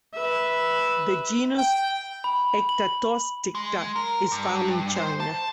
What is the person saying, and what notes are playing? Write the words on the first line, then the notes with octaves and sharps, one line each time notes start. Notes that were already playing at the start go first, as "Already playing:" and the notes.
The genus "Ectatosticta" is found in China.
B4 E5
G5
B5
F#7
G#3
A#4
G2
C5
A5